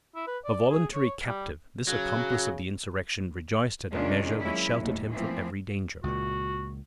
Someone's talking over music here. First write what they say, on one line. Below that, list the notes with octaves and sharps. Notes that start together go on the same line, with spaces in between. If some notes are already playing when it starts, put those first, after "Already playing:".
A voluntary captive, this accomplice of the insurrection rejoiced at a measure which sheltered him from every danger.
E4
B4
D5
G#4
C#5
G3
C#3 F#3
C3 D#3 G#3 C#4 D4 F4
F#3 G#3 A#3 C#4 E4
D#2 A2
E3 F3 A3 A#3 C4
C#2 A#2 F#4